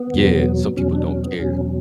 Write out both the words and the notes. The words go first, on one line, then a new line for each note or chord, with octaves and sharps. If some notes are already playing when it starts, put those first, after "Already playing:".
yeah, some people don't care.
Already playing: B3
E2 B2 F#3
E2 B2 F#3 C#4
D4
C#4
B3
E2 B2 F#3 C#4